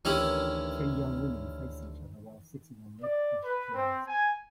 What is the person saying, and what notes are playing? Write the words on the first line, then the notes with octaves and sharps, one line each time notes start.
Three young women face each other while sitting on red plush chairs.
D2 D#3 E3 C#4 D#4 E4 G4
D5
B4
C4
G#5